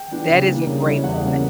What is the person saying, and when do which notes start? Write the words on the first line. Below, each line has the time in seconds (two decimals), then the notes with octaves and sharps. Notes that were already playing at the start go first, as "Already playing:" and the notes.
That is a great point.
Already playing: G5
0.12 E3 B3 D4
0.30 C#3
0.49 E3 G3 A#3 D4
0.67 C#3
0.86 G3 C#4 E4
1.04 E2 F#5
1.23 C#3 G3 A#3 C#4